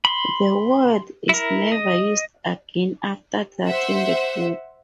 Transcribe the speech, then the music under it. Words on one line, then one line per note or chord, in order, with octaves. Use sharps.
The word is never used again after that in the book.
B5 C6
E4 A#4
D#5
C5 E5 F#5